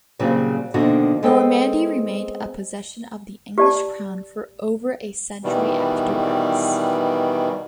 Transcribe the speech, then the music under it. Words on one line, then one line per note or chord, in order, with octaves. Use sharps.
Normandy remained a possession of the English crown for over a century afterwards.
A#2 C#3 F#3 G3 C4
B2 D3 D#3 F3 A#3 F#4
G#3 B3 C4 A4 C#5 G5
G4 D5 A5
B2 D#3 E3 G3